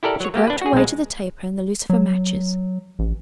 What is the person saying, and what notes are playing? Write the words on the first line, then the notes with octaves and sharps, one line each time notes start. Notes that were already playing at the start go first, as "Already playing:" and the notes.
She groped her way to the taper and the lucifer matches.
E4 G4 A4 A#4 D5
F#3 C#5
A3 A#3 G4
D4 B4
F#4 G#4
B1 G#3
F#3
A1